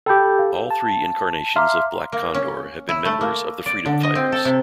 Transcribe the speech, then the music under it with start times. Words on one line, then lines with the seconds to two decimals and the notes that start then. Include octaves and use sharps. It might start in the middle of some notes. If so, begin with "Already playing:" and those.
All three incarnations of Black Condor have been members of the Freedom Fighters.
0.06 G4 A4 G5 B5 G6
0.39 F5
0.71 A5
1.56 E5 F5 A#5 C6 D6 F6
2.12 A#3
2.34 C#4
2.89 E4
3.05 A3
3.21 A#3
3.66 D5
3.86 D3
4.03 D#5
4.15 C4
4.32 A4
4.45 C3